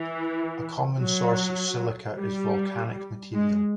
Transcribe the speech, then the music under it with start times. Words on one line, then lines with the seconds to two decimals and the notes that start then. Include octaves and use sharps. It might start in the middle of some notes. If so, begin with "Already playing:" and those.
A common source of silica is volcanic material.
Already playing: E3
0.99 F#3
2.16 G3
3.34 G#3